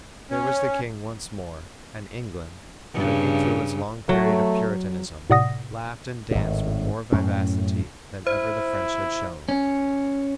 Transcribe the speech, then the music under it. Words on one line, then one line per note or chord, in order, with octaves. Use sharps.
There was the king once more; and England, breaking through its long period of Puritanism, laughed and danced with more vivacity than ever the French had shown.
C#4
G2 C#3
F#3 A3
A2 C3 D5 F#5 D#6 A#6
G#1 A2
F#2 A2 C#4
E4 C5
C#4